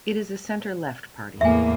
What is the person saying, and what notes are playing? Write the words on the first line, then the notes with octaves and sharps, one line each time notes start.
It is a centre-left party.
E2 A2 A#3 E5 G#5